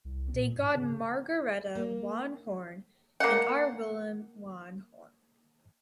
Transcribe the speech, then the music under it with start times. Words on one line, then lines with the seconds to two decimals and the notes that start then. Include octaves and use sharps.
They got Margaretha van Horne and our Willem van Horne.
0.05 C2
0.34 A#2
0.57 G#2
0.75 C#3
1.75 A#3
3.20 A#3 F#5